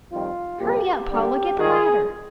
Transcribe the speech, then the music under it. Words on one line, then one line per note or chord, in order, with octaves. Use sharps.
Hurry up, Paula, get the ladder.
F2 D#3 G3 F4
C2 A#2 F3 A#3 G4
D2 D3 G3
G#2 D#3 G3 G#4